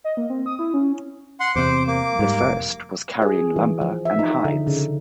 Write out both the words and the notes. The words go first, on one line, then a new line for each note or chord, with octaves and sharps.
The first was carrying lumber and hides.
D#5
A#3
C4
D#6
E4
C#4
F#5 C6
E2 C3 C5 D6
A#3 D6
G#2 G3
F1
G#4
E3
F3
E5
D#4
D3
C#3